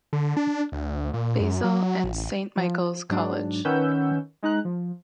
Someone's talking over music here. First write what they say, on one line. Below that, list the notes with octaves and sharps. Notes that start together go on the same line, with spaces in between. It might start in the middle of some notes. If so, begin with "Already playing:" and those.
Basil and Saint Michael's College.
D3
D4
D2
A#2
F#2
F#3
A1
F3
G#2 F#3 D4
D#3 C#4 B4 F#5 E6 G6
G#3 D#4 A#5 F#6
F3